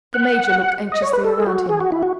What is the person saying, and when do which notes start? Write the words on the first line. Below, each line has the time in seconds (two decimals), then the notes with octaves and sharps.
The major looked anxiously around him.
0.14 F#5
0.92 D#5
1.02 C#5
1.13 B4
1.24 A4
1.40 G#4
1.46 F#4
1.69 G#4
1.80 F#4
1.92 E4
2.03 F#4